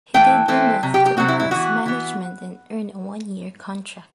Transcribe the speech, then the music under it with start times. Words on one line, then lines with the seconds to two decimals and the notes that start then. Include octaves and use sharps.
He did enough to impress management and earn a one-year contract.
0.14 E3 A3 G5
0.48 E3 A3 C4
0.83 C3 F#3
0.94 G4
1.06 G4
1.17 C3 F#3 C4 F#4
1.28 E4
1.40 E4
1.51 E3 B3 F#4
1.86 E3 B3